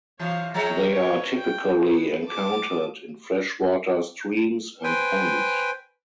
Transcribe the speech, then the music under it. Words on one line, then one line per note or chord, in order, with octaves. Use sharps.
They are typically encountered in freshwater streams and ponds.
C3 E3 C#5 F5
F3 G#3 C#5 G5 A#5
G2 B4 C#5
G5
G#4 B4
A5 D6
B4 C5 G5 G#5